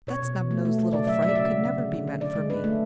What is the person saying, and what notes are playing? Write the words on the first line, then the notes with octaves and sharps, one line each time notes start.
That snub-nosed little fright could never be meant for me!
B2 C#5
B2
B2
A3
A3
A3
C#3 D5
F#3 E5
F#3 E5
D5
C#3 E5
C#3
C#3
D3
D3
D3
D3 D5
G#3
G#3 B4
A3